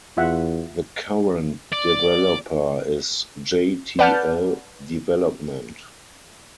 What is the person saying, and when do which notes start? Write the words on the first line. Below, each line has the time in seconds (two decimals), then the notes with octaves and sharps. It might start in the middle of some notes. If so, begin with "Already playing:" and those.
The current developer is J-T-L Development.
0.17 E2 F4 E5 F#5
1.73 D5
3.99 B4 D5 F#5 A5 F6 G6